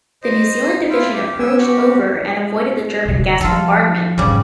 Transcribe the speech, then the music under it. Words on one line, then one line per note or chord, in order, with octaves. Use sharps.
The New Zealand Division approached over and avoided the German gas bombardment.
C5 D#5
E4 F4 G5
G4
B3 G5 G#5 E6
F#4 G4
E1 C#3
F3 F4 A4
F2 G#2 C#3 G3